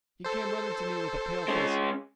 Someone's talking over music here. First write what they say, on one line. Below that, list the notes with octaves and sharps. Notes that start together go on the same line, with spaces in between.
He came running to me with a pale face....
A4 C5
G#3 C#4